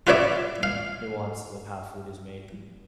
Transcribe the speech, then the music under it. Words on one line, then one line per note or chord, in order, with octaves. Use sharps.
nuances of how food is made.
F4 F#4 B4 C#5 D5 E5
F5